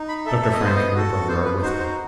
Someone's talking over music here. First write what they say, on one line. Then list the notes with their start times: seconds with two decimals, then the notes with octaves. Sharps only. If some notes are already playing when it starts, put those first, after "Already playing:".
Dr. Frank and her brother are with her.
Already playing: D#4
0.09 B5
0.26 A4 E5
0.42 E5
0.53 D#5
0.60 B3 C5
0.75 D#5
0.94 F#4 A4
1.28 B3 C5
1.45 B4
1.62 D#4 F#4 C5
1.78 C5